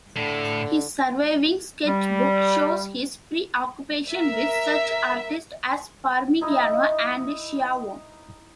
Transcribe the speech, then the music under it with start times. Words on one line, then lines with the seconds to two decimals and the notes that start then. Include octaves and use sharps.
His surviving sketchbook shows his preoccupation with such artists as Parmigianino and Schiavone.
0.17 A2 D3
1.85 G3
4.10 A#4 E5
6.41 D#4 E4 D#5